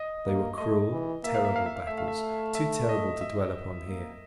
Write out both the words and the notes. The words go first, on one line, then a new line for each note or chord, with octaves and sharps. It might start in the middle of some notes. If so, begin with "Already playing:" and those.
They were cruel, terrible battles, too terrible to dwell upon here.
Already playing: D#5
A#3
A3 D#5
E3
A#3 E5
F5
E5
F5
E5
F5
A3 E5
F5
E5
E5
D#5
E5
A#3